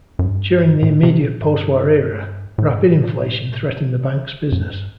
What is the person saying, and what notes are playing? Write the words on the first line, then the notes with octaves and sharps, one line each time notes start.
During the immediate postwar era, rapid inflation threatened the bank's business.
F#2
G2
A2
C3
A#2
G2
A2
G2
A2
F#2
G2